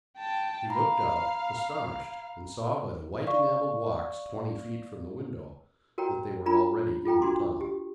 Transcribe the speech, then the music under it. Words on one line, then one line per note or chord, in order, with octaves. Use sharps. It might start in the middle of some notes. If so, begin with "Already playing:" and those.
He looked out, astonished, and saw by the white enamelled walks twenty feet from the window that they were already in the tunnel.
G5 A5
F5 A#5 B5
D5 F5 C#6
F#4 A#4 C#5 G5 A#5
D4 F4 A#5 B5
F4 A4 G5 A#5
D4 F#4 C6 D6
G4